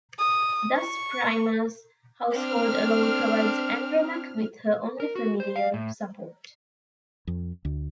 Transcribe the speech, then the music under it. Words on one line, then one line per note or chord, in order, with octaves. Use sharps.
Thus Priam's household alone provides Andromache with her only familial support.
D#6
C#6
C4 D4 F6
A#4
F#4
C5
F5
A2
F2
D2